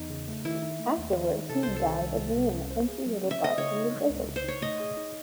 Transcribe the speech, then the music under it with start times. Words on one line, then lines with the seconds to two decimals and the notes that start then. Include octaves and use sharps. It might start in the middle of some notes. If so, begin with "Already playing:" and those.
Afterwards he died again and she hid his body in the desert.
Already playing: E2 D#4
0.10 C#3
0.28 A3
0.45 D#3 E4
0.62 D#4
0.80 A3
0.98 D#2
1.15 D#3
1.32 D#4
1.49 C3 A4
1.63 C2 C5
1.76 A4
1.84 D#3
2.01 C2
2.19 C3
2.36 C2
2.54 C#4
2.71 C5
2.88 G#4
3.06 F#3
3.23 C#4
3.31 E5
3.41 C5 D#5
3.58 C#3 C#5
3.76 D#4
3.93 G#3
4.10 C#2
4.27 C#3
4.36 C5
4.44 D#4 C#5
4.61 A3 D#5
4.80 G#4
4.97 D#4